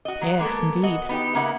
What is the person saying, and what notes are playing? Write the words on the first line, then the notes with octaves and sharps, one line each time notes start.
"Yes, indeed."
F#4 D#5
F#3
G#3 A#3 B3 A4
F#4 D#5
B3 D#4 G4
C#3 A#3 D#4 E5 F#5